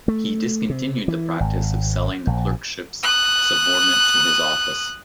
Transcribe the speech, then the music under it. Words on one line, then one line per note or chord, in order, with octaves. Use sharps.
He discontinued the practice of selling the clerkships subordinate to his office.
A3
C3
E3
G#1
A#1
D#6 F#6